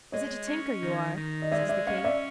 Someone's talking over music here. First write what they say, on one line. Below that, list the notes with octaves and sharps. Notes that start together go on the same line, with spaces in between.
"Is it a tinker you are?" says the king.
G#3 C#5 D#5
C#4
D#3
D#3
D#5
G#3 D5 E5
D5 E5
C#4 D#5 F5
D5 E5